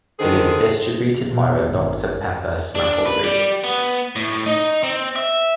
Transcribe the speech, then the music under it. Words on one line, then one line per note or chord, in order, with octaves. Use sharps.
It is distributed by the Doctor Pepper Snapple Group.
D3 D#3 G#4 A4 C5
B2
G#1
D4
B4
G3
B3
A2
D#4
C4
E5